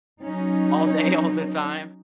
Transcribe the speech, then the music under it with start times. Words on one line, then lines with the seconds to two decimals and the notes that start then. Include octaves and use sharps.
all day, all the time?
0.24 F#3 C#4 D#4